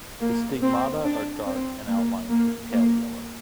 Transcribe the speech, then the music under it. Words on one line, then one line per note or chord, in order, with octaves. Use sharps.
The stigmata are dark and outlined with pale yellow.
A#3
C4
D4
C4
A#3
A#3
A#3